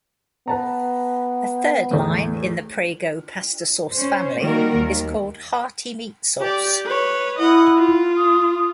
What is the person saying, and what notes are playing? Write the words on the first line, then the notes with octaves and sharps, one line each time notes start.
A third line in the Prego Pasta Sauce family is called Hearty Meat sauce.
B3 B4 A5 A#5
E2 A2
C#4 C5
D#3 G3 A#3 F#4 A#4
D#2
G4 D5
B4 C#5
E4 D#5 F#5
F4
D#6